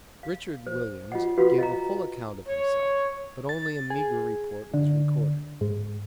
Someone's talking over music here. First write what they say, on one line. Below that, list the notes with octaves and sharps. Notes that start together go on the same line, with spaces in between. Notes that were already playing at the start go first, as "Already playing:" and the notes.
Richard Williams gave a full account of himself, but only a meagre report was recorded.
F5
C5
F4 D#5 F#5
F4 F#4 B4 F5 F#5 B5
D#5 F5 A#5
C#5
A6
G#4
D3
G#2